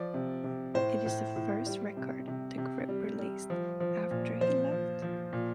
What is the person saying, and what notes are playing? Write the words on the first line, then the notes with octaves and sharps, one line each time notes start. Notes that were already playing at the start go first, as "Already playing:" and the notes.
It is the first record the group released after he left.
Already playing: F3 D5
C3
C3
A2 C5
A2
A2
G3
C3
C3
C3
G3
G3
F3
F3
A#2
F3 C5
F3
F3
A#2